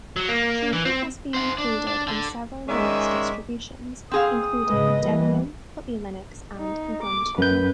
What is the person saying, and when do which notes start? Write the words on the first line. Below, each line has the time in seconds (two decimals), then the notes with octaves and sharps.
Kino has been included in several Linux distributions, including Debian, Puppy Linux and Ubuntu.
0.17 F#3
0.28 A#3
0.73 E3
0.85 C4
1.34 C5 F#5
1.58 D4
1.87 D4
2.08 D3
2.69 D#3 G#3 C#4 D5 E5
4.11 C4 G#4 F5 D#6
4.67 G#2 C#3 G#3 B4 D#5
5.01 E3 G3 A#3
6.57 D#4
7.03 D6
7.38 F#2 B4 G6